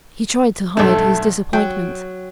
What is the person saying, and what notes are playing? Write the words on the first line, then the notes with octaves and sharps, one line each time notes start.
He tried to hide his disappointment.
B1 G2 A3 A4
F#3 G5